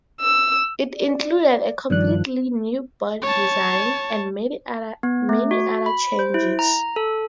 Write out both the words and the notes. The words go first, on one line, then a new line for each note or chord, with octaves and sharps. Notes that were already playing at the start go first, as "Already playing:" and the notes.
It included a completely new body design and many other changes.
E6
D5
D5
G2 D#3 F3 D4 D5 F#6
C#5 A5
B3
A3
F#4
B5
C5
E4
A#5
A4